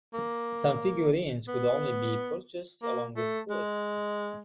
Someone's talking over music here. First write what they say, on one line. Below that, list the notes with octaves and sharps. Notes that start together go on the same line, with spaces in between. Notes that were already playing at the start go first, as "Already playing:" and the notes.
Some figurines could only be purchased along with food.
A#3
B3
A#3
A3
G#3